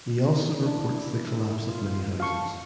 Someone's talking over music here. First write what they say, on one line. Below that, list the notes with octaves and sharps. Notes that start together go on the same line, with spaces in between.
He also reports the collapse of many houses.
D4 E4
F4
F5 A5 C#6